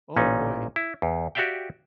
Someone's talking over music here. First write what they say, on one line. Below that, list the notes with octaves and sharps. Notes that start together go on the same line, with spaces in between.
oh, boy,
A1 A#2 C#4 D#4
E4
E2
F#4 G4 D5 E5 F5 G5